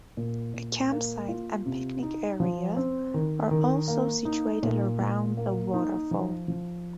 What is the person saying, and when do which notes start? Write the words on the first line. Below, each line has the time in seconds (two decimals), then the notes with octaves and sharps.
A camp site and picnic area are also situated around the waterfall.
0.17 A#2
0.54 A#2
0.92 A#3
1.28 F4
1.66 C3
2.03 D#4
2.40 F3
2.77 C4
3.14 D#3
3.51 D#3
3.88 A#3
4.25 D#4
4.63 A#2
4.99 A#2
5.37 A#3
5.74 D#4
6.11 F3
6.48 F3